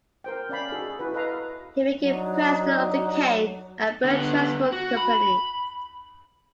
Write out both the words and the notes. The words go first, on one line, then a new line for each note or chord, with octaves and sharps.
He became president of the Kaine and Bird transport company.
A#4 C5 G5
C#4 D5 F5 B5
D#4 F#4 G#4 A4
E4 F#4 B4
A4 B4 D#5 F5 A#5
F#3 D4 D#4
D3 B3
F#4
B5